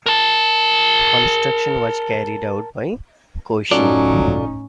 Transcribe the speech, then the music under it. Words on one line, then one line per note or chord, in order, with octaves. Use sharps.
Construction was carried out by Costain.
A#4 A5
A2 F#3 C#4 D#4 F4 A4 D5